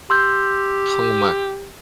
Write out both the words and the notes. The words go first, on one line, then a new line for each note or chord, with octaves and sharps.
Oh my
G4 C6 E6 G6